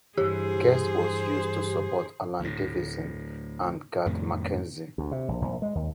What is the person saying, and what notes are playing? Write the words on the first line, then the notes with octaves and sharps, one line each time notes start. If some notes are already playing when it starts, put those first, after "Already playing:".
Guest was used to support Alan Davidson and Garth McKenzie.
G2 E3 G4 G#4 C5
D2 A2
F2 A2 C3 D#3
D2
C3
A#1
A#1
G#3
D#2